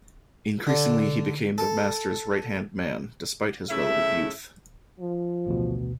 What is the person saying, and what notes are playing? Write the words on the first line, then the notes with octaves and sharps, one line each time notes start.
Increasingly he became the master's right-hand man, despite his relative youth.
D3
A4
C#3 A3 E4 E5
F3
A1 D2 B2